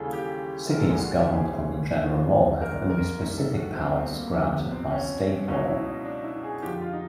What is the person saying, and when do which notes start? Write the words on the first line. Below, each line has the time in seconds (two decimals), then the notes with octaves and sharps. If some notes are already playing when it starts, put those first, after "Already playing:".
Cities governed under general law have only specific powers granted by state law.
Already playing: D#2 C#3 E3 G3 G#4 A4
0.13 G4
0.70 A#4
0.80 A4
0.89 D2 D3 G3 G#4
1.04 F#4
1.18 G4
1.32 G#4
2.03 D#2 D3 F3
2.61 A#4
2.90 A#4
3.19 G2 D#3 G3
3.38 A4
3.57 F#4
3.75 C4
3.87 C4
3.95 B3
4.14 A#3
4.33 F2 C3 F3 B3
4.52 B3
4.71 C4
4.90 C#4
5.48 C#2 B2 F#3 C#4
5.67 E4
5.86 D#4
6.05 D4
6.24 E4
6.43 G#4
6.62 F2 D3 F3 G4
6.81 F4
6.93 D#4